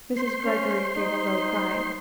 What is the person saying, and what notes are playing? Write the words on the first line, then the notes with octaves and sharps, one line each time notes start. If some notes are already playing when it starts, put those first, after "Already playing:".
Mrs. Greggory gave a low cry.
C5 C6
C#4
D#4